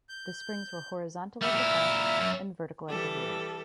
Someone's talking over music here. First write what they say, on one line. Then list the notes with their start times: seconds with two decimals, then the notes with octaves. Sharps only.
The springs were horizontal at the front and vertical at the rear.
0.09 G6
1.42 G3 A3 E5 F6
1.55 A#2 E4
2.19 F#2
2.89 E3 G3 A4